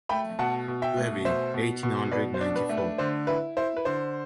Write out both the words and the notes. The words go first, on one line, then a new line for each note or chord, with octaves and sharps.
Lévy, eighteen hundred ninety-four.
A3 G5 B5
B2 F#5 A5
B2
E5 G5
A3
B2 C5 E5
B2
B2
B2 B4 D5
C5
D4
B4
A3
B4
D3 C5
E4 B4
E4 C5
B4
D3 C5